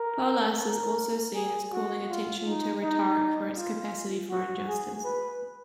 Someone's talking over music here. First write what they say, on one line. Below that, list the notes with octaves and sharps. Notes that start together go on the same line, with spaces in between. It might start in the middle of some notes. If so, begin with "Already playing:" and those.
Polus is also seen as calling attention to rhetoric for its capacity for injustice.
Already playing: A#4
A#4
G#4
F#4
F4
D#4
D#4
F4
F#4
G#4
B4